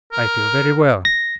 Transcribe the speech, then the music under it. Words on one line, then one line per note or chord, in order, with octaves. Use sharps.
"I feel very well."
A#4
A#6